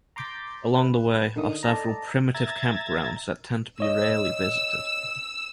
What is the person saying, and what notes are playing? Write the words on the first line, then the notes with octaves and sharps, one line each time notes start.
Along the way are several primitive campgrounds that tend to be rarely visited.
A#5 C6 D6 G6 A6 B6
B4
D3 D#3 D#4 D#6
A4 D5 D#5 A5 A#5
E5 A#5 G#6 A6
C#5 D#5 E6